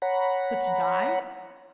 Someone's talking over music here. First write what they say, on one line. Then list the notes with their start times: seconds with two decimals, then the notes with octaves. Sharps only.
But to die?
0.02 C#5 F#5 A#5 B5